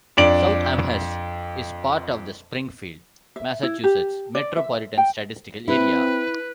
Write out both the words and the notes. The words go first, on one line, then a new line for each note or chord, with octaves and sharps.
South Amherst is part of the Springfield, Massachusetts Metropolitan Statistical Area.
F2 D4 D5 D7 F#7
E5
E4
G4
D5
E5
G5
C4 E4 B4